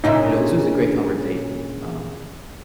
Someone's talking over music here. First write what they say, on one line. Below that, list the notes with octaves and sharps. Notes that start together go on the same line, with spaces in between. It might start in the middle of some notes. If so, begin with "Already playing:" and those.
you know, this was a great conversation, um,
A#2 C#3 D4 D#4 E5